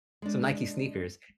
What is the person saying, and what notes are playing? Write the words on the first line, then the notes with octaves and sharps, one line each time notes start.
Some Nike sneakers.
G#3 D4